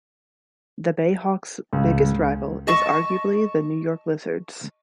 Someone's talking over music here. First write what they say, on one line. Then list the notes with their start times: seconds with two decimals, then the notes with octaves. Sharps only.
The Bayhawks' biggest rival is arguably the New York Lizards.
1.73 C#2
2.67 D#5 A5 C#6 E6